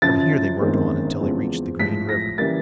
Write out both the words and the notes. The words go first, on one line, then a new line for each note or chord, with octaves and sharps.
From here they worked on until they reached the Green River.
F#2 C#3 F3 A6
G1 F#2 D#3 G#3 C4
E2 C#3 F3 G#3 C4
A2 F3 G#3 B6
A#6
C#3 E3 G3 A#3 A6